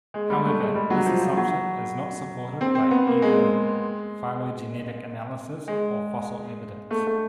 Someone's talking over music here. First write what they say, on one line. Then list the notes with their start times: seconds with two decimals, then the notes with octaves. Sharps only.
However, this assumption is not supported by either phylogenetic analysis or fossil evidence.
0.14 G#3
0.30 G3
0.45 A3
0.60 G#3
0.75 G3
0.90 F#3
1.06 F3
1.22 F3
1.37 F#3
2.61 C4
2.75 C4
2.91 B3
3.07 A#3
3.22 G#3
5.68 G#3
6.91 A3
7.07 A3